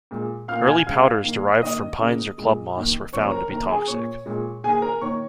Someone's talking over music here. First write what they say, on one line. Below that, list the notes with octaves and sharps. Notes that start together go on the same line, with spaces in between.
Early powders derived from pines or club moss were found to be toxic.
A#2 G#3
A#2 A#3 F5 F6
G#5 G#6
C#3 G#3 F5 F6
D#3 A#3
D#3 A#3 D#5 D#6
C#3 A#3
A#2 G#3
D#3 A#3
C#3 F3 A#3 C#5 C#6
A#4 A#5
D#3 A#3 A#4 A#5
G#4 G#5
A#2 A#3 C#5 C#6
A#2 G#3
D#3 A#3 G#4 G#5
A#4 A#5
D#3 A#3 C#5 C#6